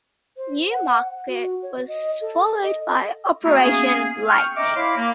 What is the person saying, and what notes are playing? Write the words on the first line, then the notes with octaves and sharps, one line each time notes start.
New Market was followed by Operation Lightning.
C5
F#5
F#4
C#5
D#5
A4
D#5
A3 B3 F#4 G#4 A#4
A#3 B3 C#4 G#4
G5 C#6 F6
D#5 E5 G5 A#5 D6
E4 C#5 F5 B5 C6 D6
A#3